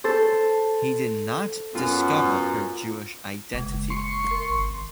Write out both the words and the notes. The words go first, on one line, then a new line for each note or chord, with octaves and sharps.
He did not discover her Jewish identity.
A4 C5
F#2 B3 F4
F#1 C#3 G#3
C6 C#6
A#4
G#1